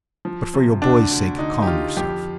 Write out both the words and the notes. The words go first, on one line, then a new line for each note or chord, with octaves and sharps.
But for your boy's sake, calm yourself.
F3
C3
D2 D4
D2
D3 D#4
G4
D3 F4
F2 G4